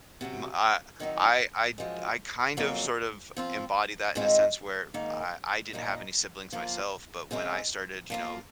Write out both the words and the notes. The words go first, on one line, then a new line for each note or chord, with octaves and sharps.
M I I I I kind of, sort of, embody that in a sense where I I didn't have any siblings myself, but when I started, you know,
C3 F#3 C#4 F#4
F2 D#3 F#3 C4 D#4
F#2 F3 G#3
F2 C#3 F#3 A#3 F4
F3 C4 F4
G#2 D#3 G#3 C4 F4
G#2 D#3 A#3
A#2 F3 A#3 D#4
F3 A#3 F4
C#3 G#3 C4 F4
F3 A#3 F4